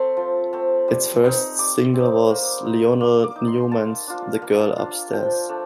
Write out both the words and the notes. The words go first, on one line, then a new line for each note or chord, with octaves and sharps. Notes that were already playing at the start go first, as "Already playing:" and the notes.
Its first single was Lionel Newman's The Girl Upstairs.
Already playing: A3 C4 C6
F3
A3 C4
G3
C4 D#4
G3 D6
C4 D#4
A#3
D#4
A#3 D6
D6
D#4
C6
A#3 A5
D4 F4
A#3
D4 F4
F3 G5
A3 D4